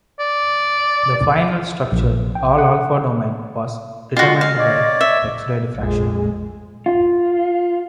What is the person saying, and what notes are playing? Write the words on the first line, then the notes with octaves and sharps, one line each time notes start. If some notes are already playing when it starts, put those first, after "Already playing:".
The final structure, all alpha domain, was determined by x-ray diffraction.
D5
A#1
G5
F#5
G#3 F4 F#4 D#5
F5
C#5 D5 D6
E5
A#1 F2 G#3
F4